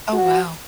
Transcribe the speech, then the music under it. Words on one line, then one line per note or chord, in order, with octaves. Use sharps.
Oh, wow.
F#4